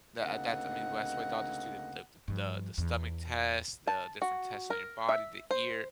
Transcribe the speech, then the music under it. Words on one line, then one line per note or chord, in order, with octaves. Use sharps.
Tha that's I mean, that's why doctors do the the the the stomach test, the different tests on your body, the ear,
D2 C#3 A#3 C4 D#4 F#5
G2 F3
E2
A5
F#4
A#4
E5
C5